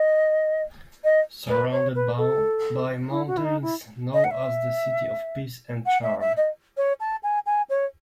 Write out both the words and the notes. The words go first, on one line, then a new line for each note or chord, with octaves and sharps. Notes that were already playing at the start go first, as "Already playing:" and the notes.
Surrounded by mountains known as the city of peace and charm.
Already playing: D#5
D#5
B4
C#5
B4
A4
E4
F#4
E4
D#4
E4
D#5
F#5
E5
F#5
E5
E5
D#5
C#5
A5
G#5
G#5
C#5